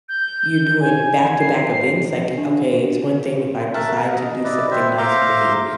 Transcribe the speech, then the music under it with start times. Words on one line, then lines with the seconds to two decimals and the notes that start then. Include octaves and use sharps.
you're doing back-to-back events, like, okay, it's one thing if I decide to do something nice for you,
0.09 G6
0.80 G#5
1.40 C7
2.37 D4
3.74 A3 A#4 E5 A5 F#6
3.95 A#5
4.13 D#5
4.44 E4 B4 D5 D#5
4.71 C4 C5 E5
4.98 C5 E5 F5 A#5 C6 D6